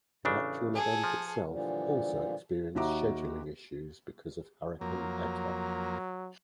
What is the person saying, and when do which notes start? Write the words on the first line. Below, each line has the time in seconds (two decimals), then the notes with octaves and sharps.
The actual event itself also experienced scheduling issues because of Hurricane Eta.
0.25 A1 C#3 D4
0.74 G#4 A4
1.04 F3
1.51 A#2 D3 E3 F3 G3
2.75 D#2 D#4 F#4 E5 A#5 D6
4.81 F2 F#3 A#3